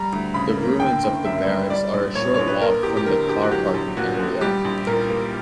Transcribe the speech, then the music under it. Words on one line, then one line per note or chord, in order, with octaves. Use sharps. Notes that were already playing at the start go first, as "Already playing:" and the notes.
The ruins of the barracks are a short walk from the car parking area.
Already playing: G3 A#5
D2
C#3 B5
A#3
D3 G5
F#1
F#2 E5
G3
G3 D5
A#1
A#2 C#5
A#1 C#5
B4
A#3 A#4
E2 G4
G4
D3 A#4
E2 G4
F#4
F#3 G4
A#1
A#2 F#4
A#1
G3 G4
A#1
A#2 A#4
A#3